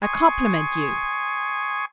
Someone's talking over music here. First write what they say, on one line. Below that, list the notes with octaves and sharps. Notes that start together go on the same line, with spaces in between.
I compliment you!
G#5 C6 C#6 D#6